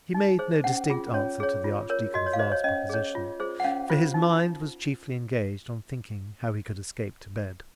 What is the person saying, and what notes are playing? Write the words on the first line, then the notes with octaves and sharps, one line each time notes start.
He made no distinct answer to the archdeacon's last proposition, for his mind was chiefly engaged on thinking how he could escape to bed.
D#4
G#4 C5
C#4 F#5
F4 G#4
C#4 C#5
G#4 C#5
F4
A#4 C#5
F#4 D#5
C#5
F5
C5 D#5
C#5
C#4 D#5
G#4 C#5
F4
G#4 C5
F#5
C#4 F5
F4 C5
D#4